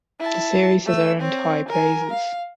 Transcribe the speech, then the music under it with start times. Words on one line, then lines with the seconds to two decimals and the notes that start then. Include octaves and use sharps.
The series has earned high praises.
0.20 E4 A5
0.86 A3 E6
1.20 C4 C#5
1.69 A#4 G#5
2.10 F5